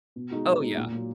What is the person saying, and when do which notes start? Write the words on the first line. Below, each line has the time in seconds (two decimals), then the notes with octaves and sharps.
Oh, yeah.
0.16 B2
0.31 G#3 D#4 F#4
0.47 B2
0.61 G#3 D#4 F#4
0.77 A#2
0.92 F#3 A#3